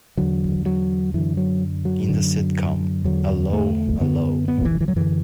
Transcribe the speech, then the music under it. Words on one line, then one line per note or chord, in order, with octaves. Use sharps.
In the sitcom 'Allo 'Allo!
E2 D3 F#3
F#3
F#2 D3 E3
F#3
F#3
F#2 D3
E2 D3 F#3
A3
F#2 D3 B3
B3
E3
E3
F#3
F#2 D3 E3